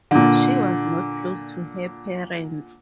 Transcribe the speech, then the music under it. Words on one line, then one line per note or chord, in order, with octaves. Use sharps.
She was not close to her parents.
A#2 D3